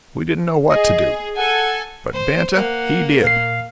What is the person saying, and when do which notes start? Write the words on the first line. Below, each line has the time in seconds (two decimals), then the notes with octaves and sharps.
We didn't know what to do, but Banta he did.
0.70 G#4 D#5
1.37 A4 F#5 G#5
2.13 C5
2.55 A#3 F#5
3.24 A#2 F5 C7